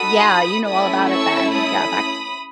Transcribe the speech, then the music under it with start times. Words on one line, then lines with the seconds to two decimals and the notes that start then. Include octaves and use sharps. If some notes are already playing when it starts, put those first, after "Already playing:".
yeah, you know all about it then. Yeah, back
Already playing: D#4 F#4 A4 B5 D#6
0.66 A3 C#4 E4 A4 B5 D#6
1.09 C#6 E6
1.53 B5 D#6